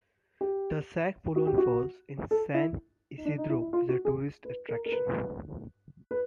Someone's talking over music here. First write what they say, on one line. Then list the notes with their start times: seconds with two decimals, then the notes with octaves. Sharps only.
The Sagpulon Falls in San Isidro is a tourist attraction.
0.41 G4
1.36 F#4
1.47 G4
1.58 F#4
2.31 A4
2.54 E4
3.18 D#4
3.25 D4
3.38 D#4
3.49 E4
3.61 E4
3.73 F4
3.89 F#4
4.05 G#4
4.45 B4
4.69 A#4
4.86 A#4
4.92 B4
6.11 B4